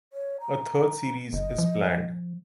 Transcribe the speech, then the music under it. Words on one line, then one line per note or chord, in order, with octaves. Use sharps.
A third series is planned.
C#5
A#5
G1 D#5
F3